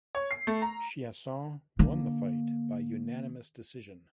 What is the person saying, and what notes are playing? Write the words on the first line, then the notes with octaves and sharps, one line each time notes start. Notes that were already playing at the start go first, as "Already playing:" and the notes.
Chiasson won the fight by unanimous decision.
C#5
C7
A3
A#5
D3 A#3